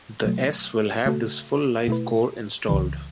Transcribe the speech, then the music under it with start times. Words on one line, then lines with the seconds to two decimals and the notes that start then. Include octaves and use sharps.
The s will have this full-life core installed.
0.25 B2 F#3 A3
1.06 C#3 A3 F#4 A4
1.88 B2 A3 E4 B4
2.69 C#2 C#3 E3